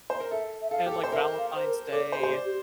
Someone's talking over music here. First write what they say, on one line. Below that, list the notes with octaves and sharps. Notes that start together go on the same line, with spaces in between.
and, like, Valentine's Day
C5
A#4
A4 E5
E5
A4 F5
G4
A4
C5
A#4 E5
F5
C5
A#4
A4 D5
C5
G4
C5
D5
G4